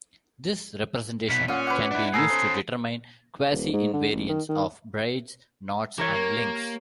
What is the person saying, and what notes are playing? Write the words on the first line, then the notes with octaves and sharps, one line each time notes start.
This representation can be used to determine quasi-invariants of braids, knots and links.
B1 B2 B6
A#2 C#4 F5 F#5
B4 F#5 D6
D4 E4
A2 G#4 A4 A#5 C7
C#4 C5
D#1
G#2
D3
A1
D#3
D#3
E3 G4 A#4 C#5
A#3